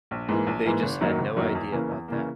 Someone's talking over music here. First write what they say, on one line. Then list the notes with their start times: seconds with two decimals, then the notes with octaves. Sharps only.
They just have no idea about that.
0.11 A#1
0.29 G#2 E3 A#3
0.47 A#1
0.65 G#2 E3 A#3
0.83 F#1
1.01 F#2 D#3 F#3 A#3
1.19 F#1
1.36 F#2 D#3 F#3 A#3
1.55 E2
1.72 C#3 E3 A#3
1.91 E2
2.08 C#3 E3 A#3